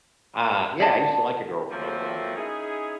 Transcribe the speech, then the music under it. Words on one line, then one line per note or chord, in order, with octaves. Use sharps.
Uh, yeah, I used to like a girl from Oklahoma,
D5 D#5 A5
F3 F#3 A3 A#3 C4
C#4 D#4 E4 G#4